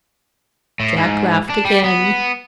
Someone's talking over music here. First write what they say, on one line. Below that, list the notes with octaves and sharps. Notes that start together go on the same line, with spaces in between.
Jack laughed again.
A2
G#2
D4
G3
B3